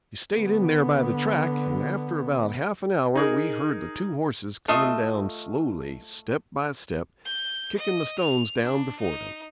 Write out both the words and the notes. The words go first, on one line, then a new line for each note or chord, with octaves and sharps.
We stayed in there by the track, and after about half-an-hour we heard the two horses coming down slowly, step by step, kicking the stones down before them.
D3 B3
D#4 G#4 A#4
A3 F4 D#5 E5
G6
D#5
F7
D4
D#4